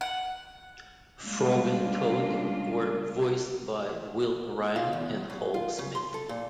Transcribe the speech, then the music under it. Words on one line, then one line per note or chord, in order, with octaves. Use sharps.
Frog and Toad were voiced by Will Ryan and Hal Smith.
F#5
C#3 G3 G#3 A#3 D4 F4
F4
E2
F#2
F4
C#3
C6
A4
A#2